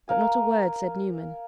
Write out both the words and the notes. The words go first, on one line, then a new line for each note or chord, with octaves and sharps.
But not a word said Newman.
A#4 F5 G#5